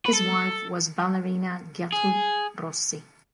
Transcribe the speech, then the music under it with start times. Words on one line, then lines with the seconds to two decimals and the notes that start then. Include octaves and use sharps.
His wife was ballerina Guertroude Rossi.
0.06 B4
0.13 A4
1.93 G#4